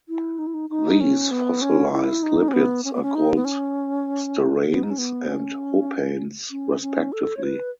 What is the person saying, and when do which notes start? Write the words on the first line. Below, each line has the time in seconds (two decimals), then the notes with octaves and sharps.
These fossilized lipids are called steranes and hopanes, respectively.
0.09 E4
0.39 D#4
0.47 E4
0.54 D#4
0.70 D#4
1.00 C#4
1.31 B3
1.62 C#4
1.92 E4
2.23 D#4
2.48 C#4
2.53 B3
2.85 C#4
2.93 B3
3.02 C#4
3.15 D#4
3.35 B3
3.45 C#4
4.67 B3
4.83 D#4
4.90 C#4
4.98 B3
5.29 C#4
6.51 C#4
6.82 C#4
7.12 A4
7.37 C#5
7.43 B4